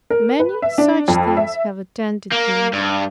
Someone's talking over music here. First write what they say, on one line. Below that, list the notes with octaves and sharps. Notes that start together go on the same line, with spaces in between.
Many such things have attended me.
A#4
B4
E5
D4
F2
E5
A#3
G2